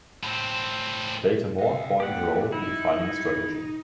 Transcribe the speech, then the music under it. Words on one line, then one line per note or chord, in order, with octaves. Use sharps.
He played a more important role in defining a strategy.
A2 C4
D#5 F5
C2 A#2 G4 F#5
D#4 E4